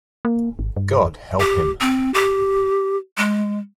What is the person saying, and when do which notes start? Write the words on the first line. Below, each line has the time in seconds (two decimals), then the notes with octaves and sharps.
God help him!
0.25 A#3
0.59 G#1
0.77 G2
1.40 G4
1.81 C4
2.14 G4
3.17 G#3